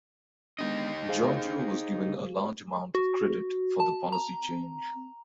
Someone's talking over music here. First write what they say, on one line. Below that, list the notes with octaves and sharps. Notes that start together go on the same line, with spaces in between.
Georgiou was given a large amount of credit for the policy change.
G#3 B3 D4 D#4 G4 D#5
G#4 C5 F5
F#4
A5
A#5